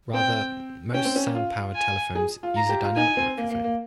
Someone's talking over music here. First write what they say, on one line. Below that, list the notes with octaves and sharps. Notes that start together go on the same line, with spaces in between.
Rather, most sound-powered telephones use a dynamic microphone.
C4 G5
C#4 G5
C4
C#4
F4
G#5
G#4
F4
A#5
G4
F4
D#4 G#5
C4
A#3
A#3
A#3